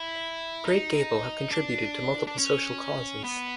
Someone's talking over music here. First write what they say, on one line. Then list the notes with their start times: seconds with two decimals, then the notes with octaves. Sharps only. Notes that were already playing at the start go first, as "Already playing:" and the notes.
Great Gable have contributed to multiple social causes.
Already playing: E4
0.65 D#4
1.51 D4
2.27 D4
2.38 C#4
3.24 B3